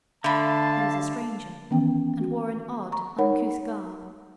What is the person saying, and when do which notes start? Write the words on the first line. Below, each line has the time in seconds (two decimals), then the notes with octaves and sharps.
He was a stranger, and wore an odd, uncouth garb.
0.24 D3 A3 F5 A5 B5
1.71 D#3 E3 B3 C#4 G5
2.21 F#4
2.92 A#5 C#6
3.18 D#4 A#4 C#5 F#5 B5